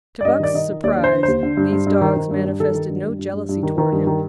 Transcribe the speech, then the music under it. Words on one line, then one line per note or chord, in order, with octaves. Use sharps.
To Buck's surprise these dogs manifested no jealousy toward him.
D5
G2 D#5
D#3 D5
D#3 D#5
D#3
D#2 D5
D3
C5
D3
D#2 C5
D3
G2
G2
G2
D#3
D#3
G2
G2
D#3 A4
D#3
G2
G2
G2
G2
G2
D#3
D#3
G2
D#3